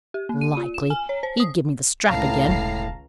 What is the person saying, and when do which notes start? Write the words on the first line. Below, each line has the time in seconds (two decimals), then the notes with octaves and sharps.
Likely! he'd give me the strap again.
0.14 G4
0.29 A#3
0.41 D#7
0.57 F4
0.74 E7
0.90 G#5
1.09 C#5
1.23 C5
1.40 D#6
2.08 C#2 A2 F5 A5 A#5 C7
2.48 E1 D3